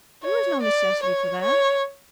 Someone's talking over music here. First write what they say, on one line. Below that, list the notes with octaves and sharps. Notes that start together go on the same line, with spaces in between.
'There was no necessity for that.
C#5
D5
C#5
C#5